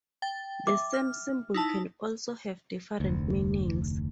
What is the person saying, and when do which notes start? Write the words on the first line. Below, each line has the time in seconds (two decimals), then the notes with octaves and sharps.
The same symbol can also have different meanings.
0.22 G5 A6
0.67 E5 D6
0.93 F6
1.54 D#4 E4 A5
3.00 F1 D2